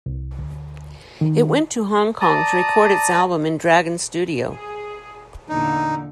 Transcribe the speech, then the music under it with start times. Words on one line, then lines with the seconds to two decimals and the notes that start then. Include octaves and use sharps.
It went to Hong Kong to record its album in Dragon Studio.
0.06 C2
0.39 D2
1.21 D#3
2.21 D5 A5 A#5 D#6
4.53 G#4
5.49 E2 A#2 D3 D#4